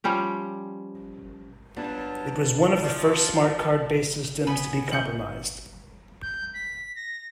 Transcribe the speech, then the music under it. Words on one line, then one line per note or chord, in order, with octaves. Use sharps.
It was one of the first smart card based systems to be compromised.
F3 G3 C#4 G4
F#3 G3 B3 D4 F4 A5
F3 E4 F#4 D5
B3 B4 G#5 B5
G6 C#7 F#7
G6
B6
A#6